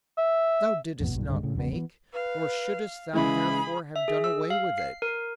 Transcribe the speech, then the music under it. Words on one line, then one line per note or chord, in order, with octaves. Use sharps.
Thou didst not make, nor shouldst thou therefore have done away with it.
E5
A1 F2 B2 B3
B1 G2 A#2
C#2 G2 D3 G#3
A2 C#3
E1 A#1 C#3 B3
E3 B3
B4 F5
C#3 E3 G#3 E4 G#4 B5
E5
G#4
E6
F5
C7
A#4